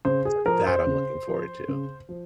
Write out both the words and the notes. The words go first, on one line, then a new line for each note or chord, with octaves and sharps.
So, that I'm looking forward to.
C#3 C5
G#4
F3 A#4
C5
C#3
F3
C#3
F3